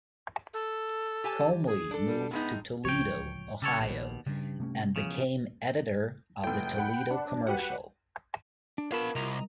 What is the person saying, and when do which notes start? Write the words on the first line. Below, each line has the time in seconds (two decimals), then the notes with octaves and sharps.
Comly moved to Toledo, Ohio, and became editor of the "Toledo Commercial".
0.53 A4
1.24 G4 G#5 A5
1.66 G#4
1.91 D4 A4
2.06 G3
2.31 A2 G#3 B3 D#4
2.85 D1 C#2 F3 C#5 G5
3.62 C#3 G3 A4 C#5
3.79 A#1 D#2 B2
4.27 G2 C#3 G3
4.60 C3 A3 C#4
4.96 B1 E2 C#3 F3
6.44 F1 A2 G5
6.78 F#5 B5 F#6
7.11 D4
7.47 F#4 G4 B4 F#5
8.78 D4
8.92 B3 F4 A#4 F5 A5 B5 C#6
9.15 C2 D#5 A#5